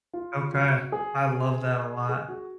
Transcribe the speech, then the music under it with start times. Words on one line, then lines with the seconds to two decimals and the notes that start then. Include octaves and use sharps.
Okay. I love that a lot.
0.13 F4
0.53 F#4
0.92 G#4
2.09 G#4
2.29 F#4